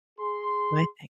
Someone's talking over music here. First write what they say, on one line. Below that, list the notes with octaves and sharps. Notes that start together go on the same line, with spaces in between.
my thing.
G#4 C6